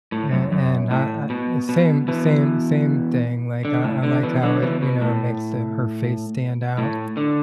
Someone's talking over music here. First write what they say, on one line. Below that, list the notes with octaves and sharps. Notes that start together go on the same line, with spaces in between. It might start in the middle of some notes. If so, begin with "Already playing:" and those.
a and uh uh uh, same same same thing, like, I I like how it, you know, makes the her face stand out
A2
F#2
F#2
A2
B2
B2
B2 E3
D3
A2
D3
B2 E3
D3 F#3
B2 E3
B2
A2
A2
D3